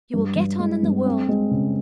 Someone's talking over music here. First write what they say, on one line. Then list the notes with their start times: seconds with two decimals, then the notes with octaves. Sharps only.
You will get on in the world!
0.14 G2
0.36 G2
0.59 G#3
0.83 G2
1.05 C4
1.28 G#3
1.51 C#3